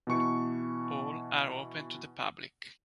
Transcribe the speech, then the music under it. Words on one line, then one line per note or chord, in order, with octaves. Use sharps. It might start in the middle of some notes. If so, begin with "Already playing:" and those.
All are open to the public.
B2 E3 C#6 C#7